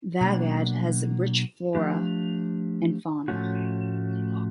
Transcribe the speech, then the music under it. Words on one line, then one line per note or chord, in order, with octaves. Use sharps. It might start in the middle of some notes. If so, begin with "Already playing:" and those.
Vagad has rich flora and fauna.
B2 F#3 A#3 D4
F3 A3 D4 G4
A2 F3 A3 C#4 F#4